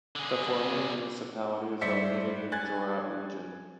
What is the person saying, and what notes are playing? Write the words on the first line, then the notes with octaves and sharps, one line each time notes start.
The former municipality is located in the Jorat region.
D3 G#4
G2 C5 D5 E5 B6 C#7
G#5 F#6 G#6 A6